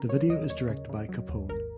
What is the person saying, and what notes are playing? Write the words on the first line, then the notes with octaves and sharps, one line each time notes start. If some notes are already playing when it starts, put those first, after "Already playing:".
The video is directed by Capone.
Already playing: C#3 A#4
F#3 C#5
D#2 D#5
D#2 C#5
C#3
C#3
F#3
D#2
G#1 A#4